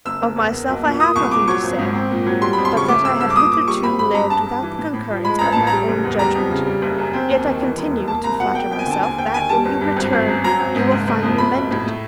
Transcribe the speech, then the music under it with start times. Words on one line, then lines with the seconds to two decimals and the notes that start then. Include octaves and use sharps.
Of myself I have nothing to say, but that I have hitherto lived without the concurrence of my own judgment; yet I continue to flatter myself, that, when you return, you will find me mended.
0.05 F#1 E6
0.21 F#1
0.37 E2
0.52 A#3
0.68 B1
0.84 A#2
1.00 A#3 D#6
1.16 C2 C#6
1.31 A#2 D6
1.48 F#3 C#6
1.63 G#1
1.79 G#2
1.94 C4
2.10 A#2
2.26 F#3
2.41 G3 C6
2.53 F2 B5
2.65 C6
2.73 C#3 C#6
2.88 A3 D6
3.04 G#1 E6
3.20 G2 E6
3.30 D6
3.36 A#2 D#6
3.51 A#2 D6
3.68 G3 C#6
3.83 G#1 B5
3.99 G#1 B5
4.14 G2 A#5
4.30 G2 A5
4.47 G2
4.62 E3
4.78 A2
4.93 A2
5.10 F3
5.25 G#3 B5
5.39 A1 A#5
5.52 A2 A5
5.67 A#5
5.72 G3
5.88 F#1
6.03 E2
6.19 G3 A#5
6.35 F2
6.51 C#3
6.66 G3
6.82 F#1
6.98 F#2
7.13 C4
7.29 D#2
7.45 D#3
7.61 E3
7.77 E1
7.92 D#2
8.08 A#3 A5
8.24 C2 A#5
8.39 B2 F#5
8.55 A#3 G5
8.71 F2 G5
8.79 G#5
8.87 D3 A5
9.02 D#2 G#5
9.18 D#2 G5
9.34 D#3 G#5
9.49 G3 A5
9.65 G1
9.81 G2
9.96 G#1
10.13 G#1
10.28 F#2
10.44 F#3 A#5
10.60 G#1
10.76 G#2
10.91 F#1
11.07 F#1
11.23 F2
11.38 A3 B5
11.54 B1
11.71 A2
11.85 A3